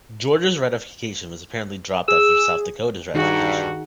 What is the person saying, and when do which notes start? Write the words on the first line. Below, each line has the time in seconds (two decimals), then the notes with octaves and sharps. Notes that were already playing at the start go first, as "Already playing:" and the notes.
Georgia's ratification was apparently dropped after South Dakota's ratification.
2.08 G#4 E6
3.14 G2 D#3 D#4 F#4 G#4